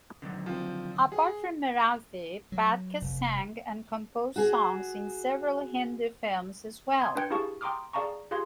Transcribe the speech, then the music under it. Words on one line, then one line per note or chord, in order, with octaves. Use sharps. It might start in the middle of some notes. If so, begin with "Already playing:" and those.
Apart from Marathi, Phadke sang and composed songs in several Hindi films as well.
D3 D#3 F#3
F3 C4
G#4
F#3
F1
F#4 G#4
C6 D#6 G#6
D4 B4 G5 G6 G#6 C#7
E4 G4 G#4 F5 A5 C#6
G5 A#5 C6 D6 D#6 F6
G#4 D5 F5 A5 A#5 C#6
F4 G4 G#4 F5 C6 G#6